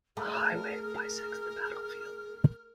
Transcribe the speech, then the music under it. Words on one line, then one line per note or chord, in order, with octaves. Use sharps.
A highway bisects the battlefield.
A3 G#4 A#4